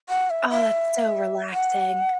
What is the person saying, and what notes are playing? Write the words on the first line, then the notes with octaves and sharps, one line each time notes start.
Oh, that's so relaxing.
F#5
E5
E5
F#5